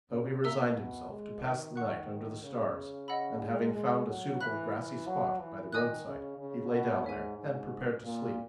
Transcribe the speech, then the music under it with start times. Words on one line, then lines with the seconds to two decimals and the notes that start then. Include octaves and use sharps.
So he resigned himself to pass the night under the stars; and having found a suitable grassy spot, by the roadside, he lay down there, and prepared to sleep.
0.11 C#3
0.44 A#2 A#4 E5 A#5 E6
0.77 B2
1.10 G#3
1.43 D#3
1.76 D#3 F#5 C#6 F#6
2.42 C#3
3.08 D#5 F#5 B5 E6
3.41 G#3
3.74 G#3
4.07 F#3
4.40 E3 E5 B5 F#6
4.73 E3
5.06 F#3
5.39 E3
5.72 D#3 D#5 G#5 D#6 F#6
6.05 C#3
6.38 C#3
6.71 B2
7.04 G#2 C#5 E5 G#5
7.37 G#2
8.04 A#2